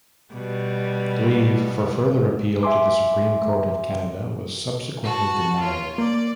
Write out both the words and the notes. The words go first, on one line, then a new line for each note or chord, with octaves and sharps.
Leave for further appeal to the Supreme Court of Canada was subsequently denied.
B2 G3
E5 G#5 C6 D6
F#4 A5
F4 C#5
A#3 D5